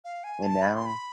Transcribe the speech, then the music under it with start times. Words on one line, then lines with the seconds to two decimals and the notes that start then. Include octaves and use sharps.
And now
0.04 F5
0.24 G#5
0.43 A5
0.62 B5
0.74 C6
0.86 B5